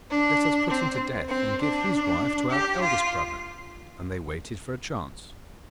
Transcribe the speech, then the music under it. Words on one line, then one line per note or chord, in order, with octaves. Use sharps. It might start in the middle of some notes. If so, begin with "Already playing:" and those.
Let us put him to death and give his wife to our eldest brother!' And they waited for a chance.
D4
C4
C4
D4
G4
F4